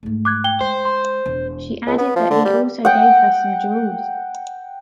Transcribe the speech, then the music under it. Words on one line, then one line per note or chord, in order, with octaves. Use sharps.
She added that he also gave her some jewels.
G#2 A3
D6 F#6 G#6
G5 G7
G#3 C5
C6
E1
C#2
B3
F3
D3
G3
F#5 G5